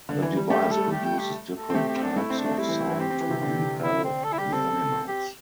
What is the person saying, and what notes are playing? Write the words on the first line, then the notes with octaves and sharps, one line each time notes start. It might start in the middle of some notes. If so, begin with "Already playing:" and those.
The device produces different types of sound to repel the animals.
D3
E3
G3
A3 G4
G3
A4
G3
G4
G5
G4
A4
C4
A3 G4
G4
C4
D4
A3 E4
C4
D4
A3
G3 E4
E3
E3
C4 G4
C4
E3
C3
D3
E4
C4
A4
E4
G3 G4
C4 A4
G4